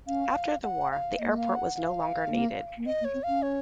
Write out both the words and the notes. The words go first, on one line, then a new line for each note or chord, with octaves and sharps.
After the war, the airport was no longer needed.
C#4 F5
F#5
F5
A#3 D#5
F5
F#5
F#5
F5
A#3
A#3
C4 D#5
A#3
C#5
C4
C#4 F5
C#5